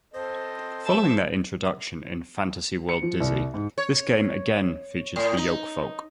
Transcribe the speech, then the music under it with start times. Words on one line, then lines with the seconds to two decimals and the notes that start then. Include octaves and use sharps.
Following their introduction in Fantasy World Dizzy, this game again features the Yolkfolk.
0.14 C4 A4 C5 D#5
0.83 E5 A5
2.89 C#7
3.03 F3
3.20 C2
3.54 G#2
3.78 C#5
5.16 A2
5.37 D#4